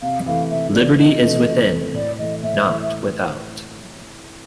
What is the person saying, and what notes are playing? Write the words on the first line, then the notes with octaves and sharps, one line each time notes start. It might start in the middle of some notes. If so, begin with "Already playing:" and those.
Liberty is within — not without.
C3 F5
E3 A3 F5
C3 E5
E3 A3 D5
C3 D#5
E3 A3
C3
E3 A3
A2 D5
E3 A3 D#5
A2 E5
E3 A3
E5